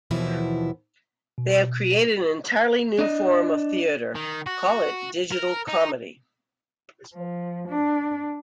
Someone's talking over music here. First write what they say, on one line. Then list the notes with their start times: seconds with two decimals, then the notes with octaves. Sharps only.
They have created an entirely new form of theater; call it digital comedy.
0.11 D#2 B2 E3 F3 E4
1.38 B2
2.99 D4 D#5
4.15 D#3
4.47 F#4
5.32 A#4
5.68 D#4
7.13 F3
7.68 D4